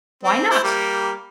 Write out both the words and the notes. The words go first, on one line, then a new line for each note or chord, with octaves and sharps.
"Why not?"
C4
E4 C5
G3 A#3